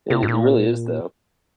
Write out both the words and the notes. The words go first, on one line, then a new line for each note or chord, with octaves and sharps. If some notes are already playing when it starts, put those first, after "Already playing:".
It it really is though,
C3
G#2
A#2